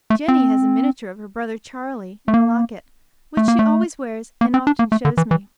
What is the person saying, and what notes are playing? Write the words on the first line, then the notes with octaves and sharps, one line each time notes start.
Jenny has a miniature of her brother "Charley" in a locket, which she always wears, and often shows me.
A3
C4
A3
A#3
A3
A#3
A3
A#3
C4
D4
A#3
A3
D3
E3
E3